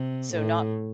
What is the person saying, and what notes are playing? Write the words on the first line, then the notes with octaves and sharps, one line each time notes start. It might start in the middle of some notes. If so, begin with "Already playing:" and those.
So, not
Already playing: C3
A2